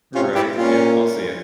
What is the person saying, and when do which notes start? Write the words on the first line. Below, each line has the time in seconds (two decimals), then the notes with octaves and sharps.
Right, yep, I'll see ya.
0.15 C3 C#4 F4
0.35 E4 G4
0.55 A#2 C#4 F4